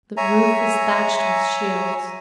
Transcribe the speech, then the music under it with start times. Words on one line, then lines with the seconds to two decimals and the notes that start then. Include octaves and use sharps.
The roof is thatched with shields.
0.17 C#5 E5 G#5 A#5